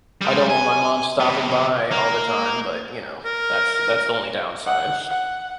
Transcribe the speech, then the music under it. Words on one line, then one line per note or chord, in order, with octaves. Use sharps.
I don't want my mom stopping by all the time, but, you know, that's that's the only downside.
G3 G#3
G#5
C3 B3
A#3
A#4
F#5
F#5